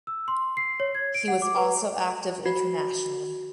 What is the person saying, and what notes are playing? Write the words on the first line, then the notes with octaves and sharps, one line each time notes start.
He was also active internationally.
E6
C6
C7
C#5
G#6
D7
F#5
D6
B4
F#4